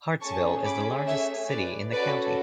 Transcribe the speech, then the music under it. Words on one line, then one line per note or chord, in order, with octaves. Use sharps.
Hartsville is the largest city in the county.
A3 C#4 G#4 A5 C#6
B5 D6
C#5 E5
B4 D5
C#4 F#4 A4 B4 D5